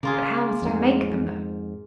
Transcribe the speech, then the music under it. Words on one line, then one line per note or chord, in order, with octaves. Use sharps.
'But how must I make them know?
C#3 A#3 F4 G#4
F2 G#2